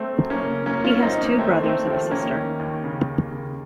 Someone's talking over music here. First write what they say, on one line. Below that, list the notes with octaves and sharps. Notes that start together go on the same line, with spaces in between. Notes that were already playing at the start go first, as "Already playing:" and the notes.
He has two brothers and a sister.
Already playing: A3 C4
F#2
A#3 C#4
C#3
F#2 A#3 C#4
C#4 F4
F#2
C4 D#4
F#2
A#3 C#4
D#3 A3 C4
D#3 A3 C4
D#2 F3 A3
D#3 A#3 C#4
D#3
D#2
C#3
D#2
C#3